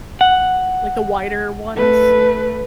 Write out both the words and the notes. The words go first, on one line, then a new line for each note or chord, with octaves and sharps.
Like the wider ones
F#5
A3 B4